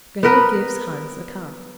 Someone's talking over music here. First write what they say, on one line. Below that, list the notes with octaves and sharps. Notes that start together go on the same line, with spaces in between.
Grettel gives Hans a calf.
B3 A#4 B4